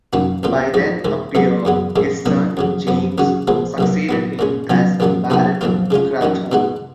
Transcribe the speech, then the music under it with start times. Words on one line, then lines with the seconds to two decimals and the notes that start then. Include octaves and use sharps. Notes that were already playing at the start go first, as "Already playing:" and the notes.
By then a peer, his son James succeeded him as Baron Crathorne.
0.13 F#2 D#3 A#3 C#4 F#4
0.43 C#2 B2 A#3 F4
0.74 A#1 G#2 F3
1.05 G#2 D#3 G#3
1.35 B1 B2 G#3 B3
1.65 F#2 C#3 F#3 B3
1.96 A#1 G#2 D#3 G#3
2.26 B1 B2 A#3 C#4
2.57 F2 C#3 F#3
2.87 F#2 F3 B3
3.18 D#2 C#3 F#3 C#4 F#4
3.48 A#2 F3 G#3 B3
3.78 B1 B2 A#3
4.09 A#2 F#3 B3
4.39 A#2 G#3 C#4
4.70 B1 B2 F#3 C#4 F4
5.00 A#1 A#2 F#3 A#3 C#4
5.30 B1 B2 A#3 D#4 F#4
5.61 B1 A#2 F3 A#3 F4
5.91 C#3 G#3 C#4 F4
6.21 D#2 D#3 F#3 C#4
6.52 B2 G#3 D#4 F#4